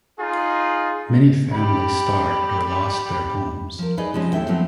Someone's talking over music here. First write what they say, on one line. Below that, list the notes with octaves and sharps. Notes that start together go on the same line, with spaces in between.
Many families starved or lost their homes.
D#4 F4 G#4
G4 B5
F3 A#4
D#4 G#4 B4 D5 D#5
C3 F3 G3 G#3 C#4
D#2 E4 A4 E5 G5
F3 F#3 A3 B3 C4